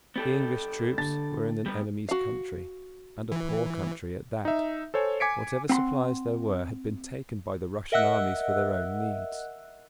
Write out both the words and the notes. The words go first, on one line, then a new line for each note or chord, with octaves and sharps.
The English troops were in an enemy's country, and a poor country at that; whatever supplies there were had been taken by the Russian armies for their own needs.
B3 G4 A4
D3 A5 A6
G3 B3
F#4 F5
E3
D#4 E5
A4 C5 C#5 G#5
G#5 D6 G#6 B6 C#7 D7
C4 F#5 B5 C6
A#4 D#5 E5 F#5 E6 F#6